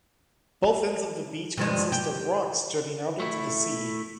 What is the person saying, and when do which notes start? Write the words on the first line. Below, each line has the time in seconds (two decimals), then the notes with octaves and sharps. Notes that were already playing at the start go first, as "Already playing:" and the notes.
Both ends of the beach consist of rocks jutting out into the sea.
1.57 G2 F3 G#3
1.92 G4
3.20 A3 E4